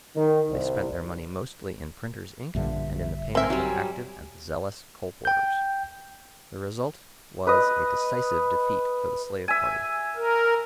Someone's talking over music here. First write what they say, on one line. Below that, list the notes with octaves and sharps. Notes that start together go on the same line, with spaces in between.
They spent their money mostly in printer's ink and in the payment of active and zealous colporteurs. The result was a decisive defeat for the slave party.
D#3
C2
A#1 G2 D3 E5
C4 A#4 E5 G#5 C6
F#3 G3
G5 G6
B4 D#5
E5 G#5
A#4